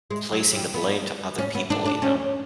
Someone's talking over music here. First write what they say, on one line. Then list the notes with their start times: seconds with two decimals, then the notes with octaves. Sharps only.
placing the blame to other people, you know?
0.11 G#3
0.33 F#3
0.53 G3
0.74 B3
1.38 C#4
1.55 B3
1.70 D4
1.85 D4
2.02 C#4